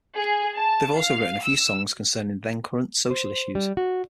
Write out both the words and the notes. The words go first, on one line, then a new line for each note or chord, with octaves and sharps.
They've also written a few songs concerning then-current social issues.
G#4
A5
F5
E6
C5
G3
F#4